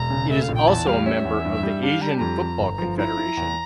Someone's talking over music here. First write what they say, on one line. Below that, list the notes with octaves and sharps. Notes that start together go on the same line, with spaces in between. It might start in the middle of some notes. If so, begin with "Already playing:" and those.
It is also a member of the Asian Football Confederation.
Already playing: E1 A#5
C#3
A3 E5
F5
A#1
G5
E2 A5
G3 F5
C#4 E5
E2
G2
G3
D4 F5
G3 A#5
A5
F2 A#5
F2
G1
F3
E4 A#5
E4
E2